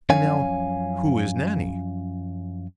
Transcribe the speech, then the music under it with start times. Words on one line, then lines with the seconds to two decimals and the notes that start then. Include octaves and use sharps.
And, now, who is Nannie?
0.09 F#2 F3 C#4 C#5 F5 G#5